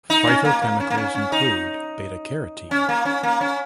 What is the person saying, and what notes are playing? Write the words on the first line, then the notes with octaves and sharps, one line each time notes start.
Phytochemicals include beta-carotene.
D#4
C#4
A#3
A#3
C#4
A#3
C#4
C#4
D#4
C#4
A#3
C#4
A#3
C#4